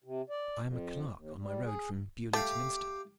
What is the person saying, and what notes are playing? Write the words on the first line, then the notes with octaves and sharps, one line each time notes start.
"I am a clerk on my road from Beaulieu to Minstead."
C3
D5
F2
D#2
G3
G#4
A3 G4 F5